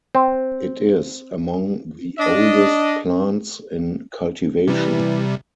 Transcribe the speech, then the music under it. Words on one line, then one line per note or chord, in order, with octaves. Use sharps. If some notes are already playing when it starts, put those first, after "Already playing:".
It is among the oldest plants in cultivation.
C4
D4 D#5
C3 E3 G3